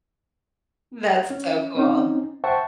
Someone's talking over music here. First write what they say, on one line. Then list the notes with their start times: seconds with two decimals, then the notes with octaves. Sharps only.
That's so cool.
1.30 C#4
1.75 C4 C#4 D#4
2.44 C5 E5 F#5 G5 A5 C#6